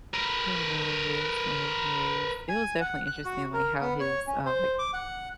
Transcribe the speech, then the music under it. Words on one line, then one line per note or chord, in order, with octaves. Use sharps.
hilarious, like, yes, it was definitely interesting, like, how his, uh, like
A#4 B4
G#5
F#5
F#6
F#4
A#4
B3
C#5
C#4
C5
D6
F#5